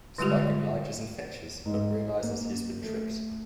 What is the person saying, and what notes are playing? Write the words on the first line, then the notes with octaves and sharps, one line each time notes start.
Spike obliges and fetches but realises he's been tricked.
D3 G3 G#3 F4 G4
G#2
A#3
A3